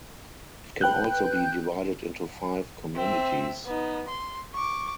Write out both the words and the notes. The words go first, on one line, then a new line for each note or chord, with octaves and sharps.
It can also be divided into five communities.
B4 G5 F#6 G6
C4 E5
B3 D#4
C6
C#6 D6